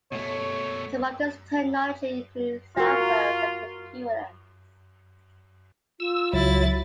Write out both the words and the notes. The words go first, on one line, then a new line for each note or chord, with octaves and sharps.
Some of this technology includes cell phones and computers.
B2 A3 C#5
F4 F#4 A#4
F4 E6
C#2 F#3 E4 A6